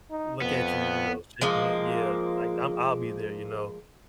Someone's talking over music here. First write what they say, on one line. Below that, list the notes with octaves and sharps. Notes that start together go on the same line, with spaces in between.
look at you, you know, shake your hand Yeah, like, I'm I'll be there, you know,
D#4
F2 B3
F3 G#3 A#3